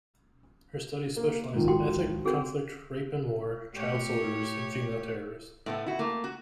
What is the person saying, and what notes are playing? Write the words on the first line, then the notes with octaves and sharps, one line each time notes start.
Her studies specialize in ethnic conflict, rape in war, child soldiers, and female terrorists.
A#3
G#2 D#3 F3
F#4 G5 C6
C4 F#4 G#4 A#4
A2 G4 C#5
A2 A3 B3
E4 F#4
A3 A#3
F#4